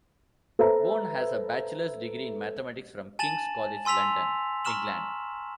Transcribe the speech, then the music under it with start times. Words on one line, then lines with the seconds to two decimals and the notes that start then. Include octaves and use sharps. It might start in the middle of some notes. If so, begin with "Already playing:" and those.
Bourne has a bachelor's degree in mathematics from King's College London, England.
0.59 A4 B4 C5 E5 A#5
3.19 G#5 A5 A6 E7 F#7
3.85 G#5 C6 E6 B6 F7
4.65 A#5 C#6 F6 E7 F#7